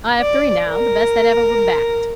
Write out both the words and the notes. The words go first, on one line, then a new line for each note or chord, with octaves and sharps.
I have three now, the best that ever were backed.
D5
A#4